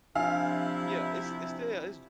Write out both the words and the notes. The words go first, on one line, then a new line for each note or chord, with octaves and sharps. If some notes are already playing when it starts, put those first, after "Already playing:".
Yeah, it's it's still it's
C3 F3 D4 E4 F5 G#5 E6